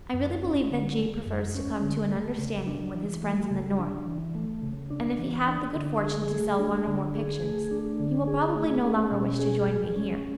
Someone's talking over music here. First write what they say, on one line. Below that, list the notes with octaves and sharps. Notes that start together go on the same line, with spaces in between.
I really believe that G. prefers to come to an understanding with his friends in the North, and if he have the good fortune to sell one or more pictures, he will probably no longer wish to join me here.
F#2
C#4
D3
G#3
F#2
C#4
D3
A3
C#3
D4
E3
A3
C#3
D4
E3
A3
C#3
D4
E3
D4
D3
G#4
A3
D4
D3
G#4
A3
D4
D3
G#4
A3
C#4
B2
G#4
G#3
C#4